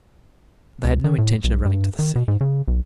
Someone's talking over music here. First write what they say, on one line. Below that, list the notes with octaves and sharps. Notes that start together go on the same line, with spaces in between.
But they had no intention of running to the sea.
C#2
D#3
A2
B1
G2
D#3
B2
G#2
C#3
B1